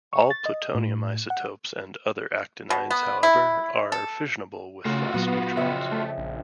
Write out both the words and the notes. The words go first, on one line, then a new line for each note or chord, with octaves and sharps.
All plutonium isotopes and other actinides, however, are fissionable with fast neutrons.
C#6
A6
D#5
A2
F#5
B2
B3
E4
A4
C#3 A3 F4 F#4
A#2 F#3 B3 F#5
F2 C#3 E5
A3
A#1